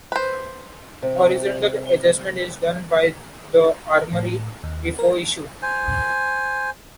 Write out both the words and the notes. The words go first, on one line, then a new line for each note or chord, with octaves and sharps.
Horizontal adjustment is done by the armory before issue.
B4 C5
C3
A2
D#2
A#4
C5 G#5